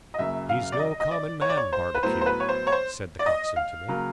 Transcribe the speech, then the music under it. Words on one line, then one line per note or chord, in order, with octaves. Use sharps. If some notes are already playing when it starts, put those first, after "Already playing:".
"He's no common man, Barbecue," said the coxswain to me.
D#5
F#2 C#3 F#3 A#3 E5
F5
D5
D#5
D#5
D5
C#5
D5
C#5
C5
B4
A2 F#3 B3 C5
C5
B4
C#5
C5
C#5
C5
D5
D#5
F5
C#3 F#3 A#3